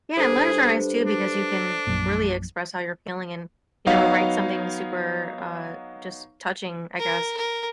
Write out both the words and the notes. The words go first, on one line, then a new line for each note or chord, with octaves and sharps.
Yeah, and letters are nice too because you can really express how you're feeling and, you know, write something super, uh, just touching, I guess,
G2 G#4 A4 C5
D4
A#1 F#2 A#2
F#3 B3 D#4 C#5 F5
A#4
A#4